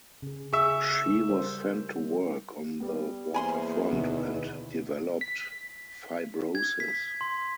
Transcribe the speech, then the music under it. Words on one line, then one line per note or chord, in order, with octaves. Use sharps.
She was sent to work on the waterfront and developed fibrosis.
C#3 G#4
G#4 E5 C#6
G3 A#4 C5
G3 B3
E2 A#3 C5 G#5 B5 C6
D2 B2 D#3 B3 E4
B6
G#6
B6
C6